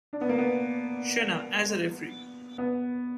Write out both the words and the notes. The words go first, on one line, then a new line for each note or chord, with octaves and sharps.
Shena as a referee.
D4
B3
A#3
B3
B3